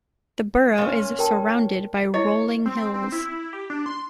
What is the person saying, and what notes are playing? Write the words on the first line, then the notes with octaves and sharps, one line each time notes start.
The borough is surrounded by rolling hills.
A#2 C#4
A#4 G5 A5
E4 C#5 D#5
C4
C4
E4
G4
D4
C6